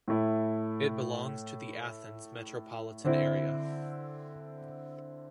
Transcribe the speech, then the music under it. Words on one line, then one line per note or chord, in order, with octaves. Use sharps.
It belongs to the Athens metropolitan area.
A2 A3 E4
D3 C4 E4